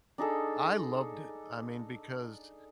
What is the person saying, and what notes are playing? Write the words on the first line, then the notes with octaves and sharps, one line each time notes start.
I loved it, I mean, because
D4 D#4 G#4 A4